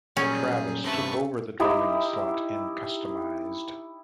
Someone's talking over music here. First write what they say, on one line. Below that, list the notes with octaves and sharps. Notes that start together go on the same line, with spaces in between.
Travis took over the drumming slot in Kustomized.
A#2 F#3 G3 C#4 G#4
G2 C3 A3 B4 C#6
D#4 E4 G4